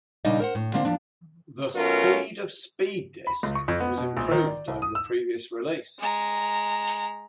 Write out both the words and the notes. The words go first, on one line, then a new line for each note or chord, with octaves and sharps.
The speed of Speed Disk was improved over the previous release.
A#2 C#3 G3 D4 D#4 D#5
A#4 C5 F#5
A2
D3 A#3 C4 D4
E2 F3 D4
B2 F#3 A3 C#4 F4 A#4
B5
C#2
C#6
F2
B3
B2
A#1
D#3
D5
C2
D#6
E6
G#3 A#5